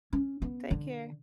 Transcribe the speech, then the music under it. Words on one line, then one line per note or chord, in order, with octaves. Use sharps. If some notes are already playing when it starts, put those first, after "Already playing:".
take care.
C#4
B3
D3